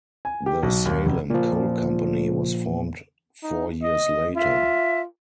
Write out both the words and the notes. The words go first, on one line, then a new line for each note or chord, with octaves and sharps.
The Salem Coal Company was formed four years later.
G#5
G4
B1
D#2
F1
A#2 F3
D#4
D#5
F4 E5